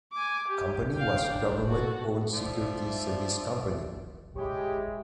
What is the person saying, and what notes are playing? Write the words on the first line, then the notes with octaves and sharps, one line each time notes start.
Company was government own security service company.
G#5 D6
G4
F5 G5
D4
F#4 A4
F3 D5 E5
G#3 E4 G4 G#4 C#5